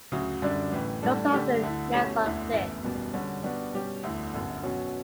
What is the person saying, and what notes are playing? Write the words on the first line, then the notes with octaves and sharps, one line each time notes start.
It also often nests on cliffs.
D2 C#3 F#3
F#2 D3 G3 D4
A1 A2 E3
A2 G3 D4 A4
D3 A3 D4 G4
D2 D3 A3 E4
B2 A3 C#4 G4
E1 D2 D3 A3 E4
G1 F#2 E3 A3 E4
F#1 E2 B2 G3
D3 G3 C#4 F#4
B2 G3 B3 D4 F#4
B2 G3 C#4 G4
E1 D2 D3 A3 E4
G1 F#2 D3
B2 F#3 C#4